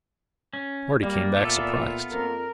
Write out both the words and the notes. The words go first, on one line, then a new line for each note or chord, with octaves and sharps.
Marty came back surprised.
C#4
G3 A#3 D5
A#2 B3 F4 A4 E5
F2 A#3 A#4